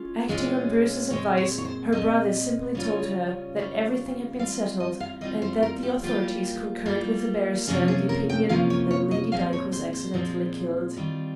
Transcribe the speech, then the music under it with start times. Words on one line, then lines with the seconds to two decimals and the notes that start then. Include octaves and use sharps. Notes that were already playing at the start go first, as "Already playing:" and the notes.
Acting on Bruce's advice her brother simply told her that everything had been settled, and that the authorities concurred with the barrister in the opinion that Lady Dyke was accidently killed.
Already playing: G#3 C#4 F4
0.28 A#2 G#3 C#4 F4
1.10 A#2 G#3 C4 C#5
1.38 C#5
1.58 C#5
1.65 C5
1.92 A#2 G#3 C4 D#5
2.75 C#3 G3 C#4 F4
3.56 C#3 G3 C#4 F4
4.39 G3 C4 F4 F5
4.80 D#5
5.00 F5
5.21 G3 C4 F4 D#5
5.42 C5
5.63 A#4
5.83 G4
6.03 G3 A#3 F4 G4
6.86 G3 A#3 F4
7.67 C3 F3 A#3 C#4 F4 G#4
7.88 G#4
8.09 A#4
8.29 G5
8.49 C3 F3 A#3 C#4 F4 F5
8.70 C#5
8.91 C#5
9.11 D#5
9.32 A#2 F3 G#3 C4 F5
9.53 C#5
9.72 C5
9.93 C5
10.14 A#2 F3 G#3 C4
10.96 D#3 G3 C4 F4